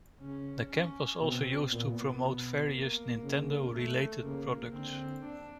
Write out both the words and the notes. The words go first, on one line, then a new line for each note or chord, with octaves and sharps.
The camp was also used to promote various Nintendo-related products.
C#3 C#4
C#4
B2 C4
A#2 B3
B2
A#3
C#3
A3
C#3 A#3
D3 C4
D4